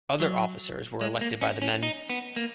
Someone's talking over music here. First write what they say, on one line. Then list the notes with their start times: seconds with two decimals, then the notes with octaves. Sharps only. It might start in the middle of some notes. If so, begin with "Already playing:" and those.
Other officers were elected by the men.
0.20 F#3
1.01 G#3
1.21 A#3
1.41 C#4
1.62 C#4
1.83 D#4
2.10 B3
2.36 A#3